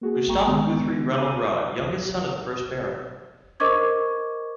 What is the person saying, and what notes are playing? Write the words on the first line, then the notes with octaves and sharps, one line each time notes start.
Gustaf Guthrie Rennell Rodd, youngest son of the first Baron.
A#3 F#4 G#4
G#1 A3 G5 A#5 C#6
D3 D#3 G#3 B3
D6 G6 D#7
A#4 C5 D#5 C#6 D6 G#6